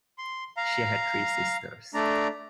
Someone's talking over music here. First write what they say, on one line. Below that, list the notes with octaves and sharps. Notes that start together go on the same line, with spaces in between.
She had three sisters.
C6
F5 A#5
A3 D4 D5 A#5